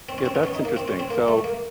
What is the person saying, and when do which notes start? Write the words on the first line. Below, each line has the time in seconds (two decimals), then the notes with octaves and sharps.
Yeah, that's interesting. So
0.09 C4
0.18 C#4
0.26 C4
0.35 B3
0.43 C#4
0.55 D#4
0.65 A#3
0.76 C4
0.88 C#4
0.99 C4
1.10 A#3
1.28 A3
1.44 A#3